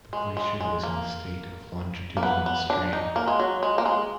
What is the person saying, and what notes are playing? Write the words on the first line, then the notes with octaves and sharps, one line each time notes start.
The glacier is in a state of longitudinal strain.
G#3
G#3
G#3
A#3
A#3
B3
B3
D4
D#4
A#3
G#3
F#3
G#3
A#3
G#3